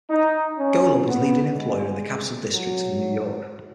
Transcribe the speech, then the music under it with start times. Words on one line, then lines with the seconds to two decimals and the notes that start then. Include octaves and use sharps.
Golub is leading employer in the Capital District of New York.
0.10 D#4
0.59 C#4
1.07 B3
1.56 G#3
2.52 F#3